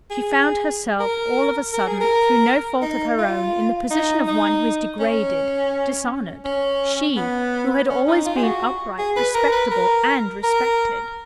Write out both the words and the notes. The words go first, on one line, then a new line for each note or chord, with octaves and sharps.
She found herself all of a sudden, through no fault of her own, in the position of one who is degraded, dishonored; she, who had always been upright, respectable, and respected.
G#4
A#4
A#4
G#4
A#4
D#4
F4
D#4
D#4
C#4
C#4
B3
C#4
D#4
F4
G#4
F#4
G#4
B4
A#4
B4
A#4
A#4